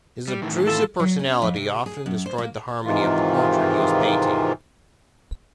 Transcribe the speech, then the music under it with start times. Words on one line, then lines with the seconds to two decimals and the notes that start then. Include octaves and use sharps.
His obtrusive personality often destroyed the harmony of the portrait he was painting.
0.28 G3
0.42 A2 D#3 E3
0.67 E4 F4 A4
1.00 F#3
1.19 C#4
1.42 F2
1.56 C3
1.86 G#4
2.06 F#2
2.26 C5
2.38 A#3
2.85 G#2 C3 D#3 E3 F4